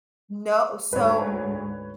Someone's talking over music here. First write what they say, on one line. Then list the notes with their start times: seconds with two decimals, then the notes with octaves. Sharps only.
No, so
0.93 D2 G#2 B4 C#5